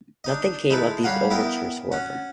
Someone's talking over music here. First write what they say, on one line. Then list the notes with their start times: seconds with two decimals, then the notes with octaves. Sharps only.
Nothing came of these overtures however.
0.24 D4 D#4 D#5
0.70 G#3 D#4 E4 A4 B4
1.03 G3 C#5 F5 F#5 A#5
1.30 B3 E4 A#4 D#5 E5 G5
1.92 C#4 F#4